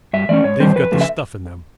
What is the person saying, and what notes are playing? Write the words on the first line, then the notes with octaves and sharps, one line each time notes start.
They've got the stuff in them!
G2 E5
E3 A3 C#4 D5
G#2 C#5
D#3 G3 C4 C5
F2 B4
C#3 F3 A3
E5